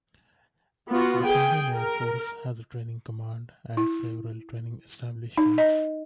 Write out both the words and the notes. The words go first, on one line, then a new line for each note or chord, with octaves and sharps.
The Indian Air Force has a Training Command and several training establishments.
B3 F4 F#4
G#4 G5
A#4
E4
D#4
D#5